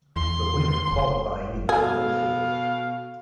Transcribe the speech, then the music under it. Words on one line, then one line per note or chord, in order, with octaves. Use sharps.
The winner qualifying in the final four.
E2 C6
F1
B2 F#4 G#4 A4 F5